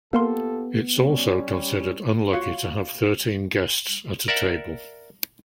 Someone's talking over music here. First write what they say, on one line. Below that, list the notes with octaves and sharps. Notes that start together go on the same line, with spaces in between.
It's also considered unlucky to have thirteen guests at a table.
A#3 B3 F4 G4 A4 A#4 C6
G3 C#4
F4 F#4 C#5 F5
A#4 D5 E5 F#5